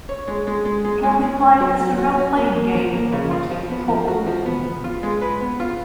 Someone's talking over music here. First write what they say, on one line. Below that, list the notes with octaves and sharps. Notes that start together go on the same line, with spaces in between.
It can be played as a role-playing game or a tabletop war game.
C#5
G#3
G#3
G#3
G#3
G#3
C#4
C#4
F#3
F#3
F#4
C#4
A#3
A#3
F3
A#3
C#3
F4
F3
B3
F3
F#4
F3
B3
B3
F4
G#3
B4
B3
F4